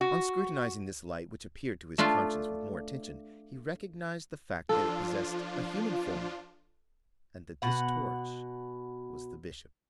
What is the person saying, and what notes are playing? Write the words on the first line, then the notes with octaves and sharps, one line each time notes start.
On scrutinizing this light which appeared to his conscience with more attention, he recognized the fact that it possessed a human form and that this torch was the Bishop.
F#4
A3 D4 F4
F3 D4 F4 A4
B2 F#5